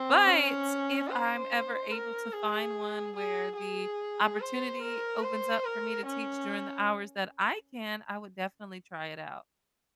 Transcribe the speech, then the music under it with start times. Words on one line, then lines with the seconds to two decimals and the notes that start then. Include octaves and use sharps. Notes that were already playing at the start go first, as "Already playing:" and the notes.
but, if I'm ever able to find one where the opportunity opens up for me to teach during the hours that I can, I would definitely try it out?
Already playing: C4
0.27 C#4
1.09 C5
1.92 A#4
2.33 G#4
3.16 G#4
3.57 G#4
4.40 C5
4.82 A#4
5.22 C5
5.64 A#4
6.06 C#4